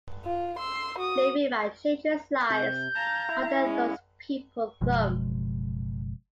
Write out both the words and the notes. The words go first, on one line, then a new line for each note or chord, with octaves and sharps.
Leaving my children's lives under those people thumb.
F4
C6 E6
F#4 D#6
C3 G6
F5 A5 A#5
E4
G#3 C#4
F#1 B2 F3 G#3